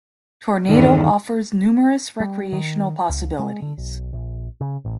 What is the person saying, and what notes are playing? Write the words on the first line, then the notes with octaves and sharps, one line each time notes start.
Tornado offers numerous recreational possibilities.
E2 G2 D3 D#3
G3
D#3
C#2
G#3
D3
B1
A#1
C#3
A1